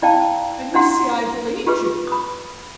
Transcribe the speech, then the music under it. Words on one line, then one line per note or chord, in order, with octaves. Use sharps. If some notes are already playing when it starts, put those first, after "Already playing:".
And you see I believed you.
E4 D5 F5 G5 A5
D4 E4 F#5 C6
F4 G4 G#4 B4
B5 D#6